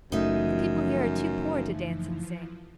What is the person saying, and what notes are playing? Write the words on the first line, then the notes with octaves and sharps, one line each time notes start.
The people here are too poor to dance and sing.'
F#1 F#2 E3 F3 A3 D#4 E5